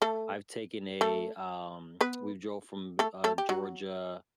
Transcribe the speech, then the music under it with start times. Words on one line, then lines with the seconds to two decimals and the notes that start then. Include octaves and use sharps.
I've taken a, um, we drove from, uh, Georgia
0.02 A3 A4
1.01 A3 A4
2.01 B3 B4
2.99 A3 A4
3.24 A3 A4
3.38 G4
3.49 F#3 F#4